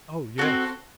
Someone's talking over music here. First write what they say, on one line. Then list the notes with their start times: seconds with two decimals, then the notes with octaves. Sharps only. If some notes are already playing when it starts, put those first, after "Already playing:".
"Oh yes!"
0.38 C4 F#4 A4